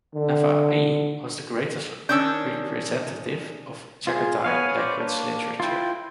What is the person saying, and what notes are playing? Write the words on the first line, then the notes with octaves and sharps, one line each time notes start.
Nava'i was the greatest representative of Chagatai language literature.
D3
D#3 C#4 D4 E6 F#6 G6
F4 G#4
B3 B4 C#5 F5 G#5
C5 D5
A#3 D4
E4 F4 G5